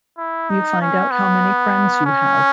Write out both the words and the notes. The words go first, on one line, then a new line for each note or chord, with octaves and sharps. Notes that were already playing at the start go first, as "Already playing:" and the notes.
You find out how many friends you have.
E4
D#4
C#4
B3
C#4